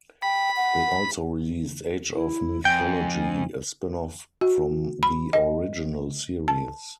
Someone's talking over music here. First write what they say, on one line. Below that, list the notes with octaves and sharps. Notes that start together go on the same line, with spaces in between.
They also released "Age of Mythology", a spin-off from the original series.
G5 B5
F#5
E4
F2 G5 G#5
F#4
B5
D#5
A5